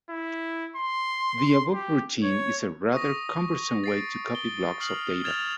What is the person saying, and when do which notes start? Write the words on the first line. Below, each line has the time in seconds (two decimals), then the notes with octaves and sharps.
The above routine is a rather cumbersome way to copy blocks of data.
0.10 E4
0.76 C6
1.74 G4
2.24 C#5
2.93 C#6 D#6 A#6
3.84 A6 C7 D7
4.35 G7
4.80 D#6 F6 C7 F#7
5.23 D#6 F6 G#6 A6 E7 F7